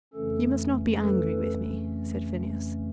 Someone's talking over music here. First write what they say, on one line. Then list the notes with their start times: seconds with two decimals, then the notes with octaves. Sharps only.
"You must not be angry with me," said Phineas.
0.13 F2 C#3 E3 A3 C#4 A4
1.00 A4 B4